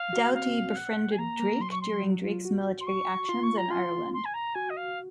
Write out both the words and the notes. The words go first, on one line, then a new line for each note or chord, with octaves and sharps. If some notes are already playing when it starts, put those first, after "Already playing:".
Doughty befriended Drake during Drake's military actions in Ireland.
Already playing: F5
F#4
C4 F5
F#5
G#5
A#3 A#5
A#3
F#3 C6
C#6
C6
F#3
F4
F#4
C6
C#6
F4 C6
C#6
A#5
F4 C6
C6
G#5
A#5
F#4 G#5
D#5
F5